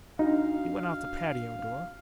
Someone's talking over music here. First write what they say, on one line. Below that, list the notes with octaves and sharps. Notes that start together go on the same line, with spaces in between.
He went out the patio door.
D4 D#4 F#4 F5